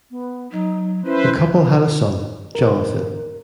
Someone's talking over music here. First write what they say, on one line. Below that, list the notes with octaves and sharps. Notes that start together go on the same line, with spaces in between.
The couple had a son, Jonathan.
B3
F#3 D#4
C#4 E4 B4 C5
A#4